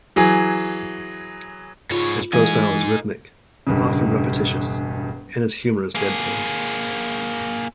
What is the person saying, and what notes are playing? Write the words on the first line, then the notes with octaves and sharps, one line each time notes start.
His prose style is rhythmic, often repetitious, and his humour is deadpan.
E3 F#3 G#4
G#2 F4 C#5
E3 G#3 D#4 F5 G#5
E1 G2 C#3
A#3 G#4